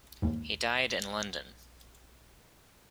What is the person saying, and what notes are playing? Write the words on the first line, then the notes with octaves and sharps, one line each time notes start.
He died in London.
D#2 G#2